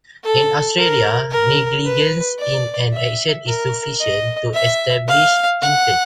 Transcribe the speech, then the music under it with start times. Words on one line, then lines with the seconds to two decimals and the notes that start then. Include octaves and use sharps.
In Australia, negligence in an action is sufficient to establish intent.
0.24 A4
0.78 A#4
1.31 A#4
1.85 B4
2.39 D5
2.93 E5
3.47 A#4
4.01 D#5
4.54 E5
5.08 F5
5.62 F#5